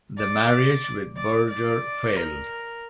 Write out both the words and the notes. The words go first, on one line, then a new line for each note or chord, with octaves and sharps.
The marriage with Berger failed.
D5
D5
D5
A#4